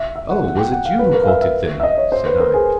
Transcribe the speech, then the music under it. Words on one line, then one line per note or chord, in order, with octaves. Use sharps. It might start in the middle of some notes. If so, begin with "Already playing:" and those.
"Oh! was it you who caught it, then?" said I.
Already playing: E5
E5
F#5
F#5
G5
F#5
F5
B4
A#4
F5
E5
E5
E5
D#5
C#5
C5
B4
A#4
G#4